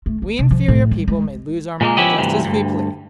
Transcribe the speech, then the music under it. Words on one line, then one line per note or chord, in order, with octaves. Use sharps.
We inferior people may lose our money just as we please.
A3
A#3
C3
F3
A2
G3
G#3
A#2 G#3 A#3
F3 B3 C#4 E4 G4 D#5
D2 G2 C3 E3
D2 G2